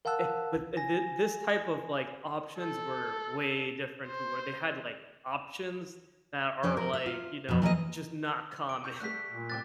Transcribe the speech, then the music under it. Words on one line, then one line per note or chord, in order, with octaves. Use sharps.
eh, but, eh, th this type of, like, options were way different to where they had like options that are like, you know, just not common.
A#4 F5 F#5 A5 E6 F#6
G#5 A#6
A4
C5
F2 C#4 C5 D5
A#4
E5
F4
F2 B2
E3 A#3 C#5 D#5
D6 D7
C#6 E6 G6
G3 A3 F#5 F#6 B6
A#2
A2 C3 G3 G5 D6 E6 F#6 A6